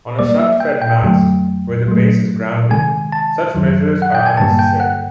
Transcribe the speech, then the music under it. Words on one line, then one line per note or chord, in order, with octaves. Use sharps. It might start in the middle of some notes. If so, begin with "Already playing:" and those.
On a shunt-fed mast, where the base is grounded, such measures are unnecessary.
B2 G3 A#3 D5
E5
G5
G5
F2 D3 F#3 A3
A#2 F#3 A3
C3 D#3 G#3 G#5
A5
F#2 D#3 F#3
F#5
G5
G#5
G2 D3 G3 A#3 A5
G5
F#5